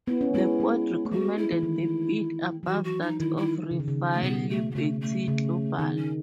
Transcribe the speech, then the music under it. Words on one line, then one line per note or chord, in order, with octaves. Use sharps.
The board recommended the bid above that of rival Liberty Global.
B3 E4
C#4
G#3 B3 E4
G#3
A3
G#3 F#4
E4
E3
D#3
F#3
E3 F#4
F#4
D#4
D#3 E4
E4
C#3
D#3
C#3
A3
B2 B3
A3
B3
C#3 A3
A3
C#3
D#3 B3
C#4